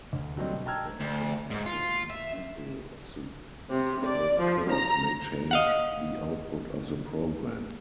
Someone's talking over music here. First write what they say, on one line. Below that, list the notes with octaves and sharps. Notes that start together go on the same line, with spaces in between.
Therefore the removal of the dead code may change the output of the program.
D2
D3 F#3 G3 A3 C4 D#4
B2
G5 A5 A#5 E6 F6 G#6
D2
G#2
F4
E5
C3
D5
F3
A#5
D#5 F5 F#5